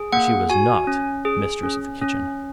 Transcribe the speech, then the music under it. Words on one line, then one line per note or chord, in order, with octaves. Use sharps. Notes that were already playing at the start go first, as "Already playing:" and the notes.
But she was not mistress of the kitchen.
Already playing: G#4
A#3 F#5
F#4 G#5
C#4
G#4
C#4
C#4